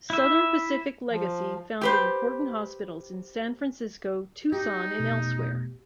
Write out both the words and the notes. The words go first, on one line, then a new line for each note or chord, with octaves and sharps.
Southern Pacific legacy founded important hospitals in San Francisco, Tucson, and elsewhere.
E4 E5
F3
G4 B4 C5
D#4 G4
F1 B2 A3